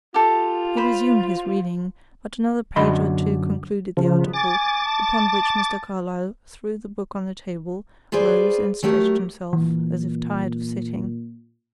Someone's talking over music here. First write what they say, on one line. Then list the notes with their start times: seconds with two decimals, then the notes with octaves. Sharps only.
He resumed his reading; but another page or two concluded the article, upon which Mr. Carlyle threw the book on the table, rose and stretched himself, as if tired of sitting.
0.14 F4 G4 A4
0.77 C5 B5
2.76 F#2 D3 D#5 B5 C6
3.97 C#3 F3
4.19 G#2 B2 B3
4.33 G#5 D6 A6
4.85 A5
8.12 F4 G#4 B4 C5 D5
8.83 F#3 A3 G4 A#4
9.53 A#2 E3